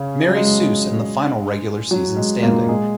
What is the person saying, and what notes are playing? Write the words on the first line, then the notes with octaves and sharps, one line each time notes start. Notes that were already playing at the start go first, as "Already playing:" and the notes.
Marie Soos in the final regular season standing.
Already playing: C#3 C#4
F#3
G#3
F#3
G#3
A#2 A#3
G#3 G#4